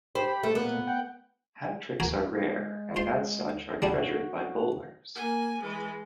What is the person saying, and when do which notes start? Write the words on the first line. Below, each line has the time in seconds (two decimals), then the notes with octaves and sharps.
Hat-tricks are rare, and as such are treasured by bowlers.
0.15 G4 C5 B5
0.43 A3
0.55 A#2 B3
0.87 F#5 G5
2.00 F#4 A#4 G#5
2.47 G#3
2.96 F4 C5 C6
3.82 G3 D4 E4 F#4
5.15 A#3 G#5
5.61 E3 G#3